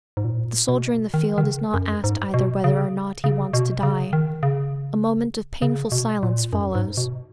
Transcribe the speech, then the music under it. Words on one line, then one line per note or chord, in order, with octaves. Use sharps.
The soldier in the field is not asked either whether or not he wants to die.' A moment of painful silence follows.
G#2
A#2
B2
D#3
D#3
C#3
F#2
G#2
B2
C#3
C#3
B2
C#3
D#3
C#3
C#3
B2
A#2
F#2
G#2
B2